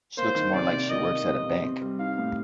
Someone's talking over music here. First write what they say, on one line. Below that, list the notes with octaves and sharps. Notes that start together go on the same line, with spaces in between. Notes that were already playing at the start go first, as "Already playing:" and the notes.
She looks more like she works at a bank.
A#3 C5
D#3
C3 D5
C3
A#3 D#5
D#3
C3
C3
C4
G3
D#4 F5
A2